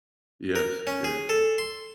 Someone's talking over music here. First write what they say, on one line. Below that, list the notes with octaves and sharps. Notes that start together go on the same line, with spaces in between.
Yes, yeah.
A#4
C#4
G#4
A4
C6